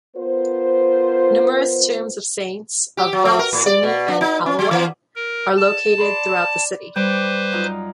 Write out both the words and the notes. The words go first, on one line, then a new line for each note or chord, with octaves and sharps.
Numerous tombs of saints, of both Sunni and Alawite, are located throughout the city.
B3 F4 A#4 C5
G4
F#3
A3
A#4
A2
D5
B2
D4
D#4
C#4
F#3
E3
A#4
A5
D5 B5 C6
G3 B4 C5 G5 D6
F#2 D#4 F4